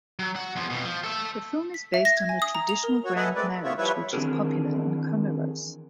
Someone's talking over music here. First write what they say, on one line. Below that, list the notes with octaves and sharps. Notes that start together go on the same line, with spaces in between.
The film is based on the traditional grand marriage which is popular in Comoros.
F#3
F#4 F#5
E2 F3
F2 B2
F3
A4 E5
B6
E5
A#6
G#6
G#5
D#6
A#5
F7
A#4
F#4 C#5
A4 B4 D#5 E5 F#5 G#5
G#3 A3 C4 B4 D5
F#3
A3 B3 E4 F4 C#5 E5
F3 G3 E4 B4 C#5 E5
D#3 E3 C4 D4 G#4 A#4